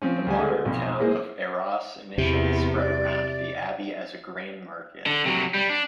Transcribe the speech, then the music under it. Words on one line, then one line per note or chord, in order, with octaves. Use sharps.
The modern town of Arras initially spread around the abbey as a grain market.
F3 C4 C#4
D2 G3 G#5
D3 G#3
B1 F2 B2
E3 G#3 A#3 G#4 C5
E2 C3 B3
D5
D3
C3 F#3
G3
D4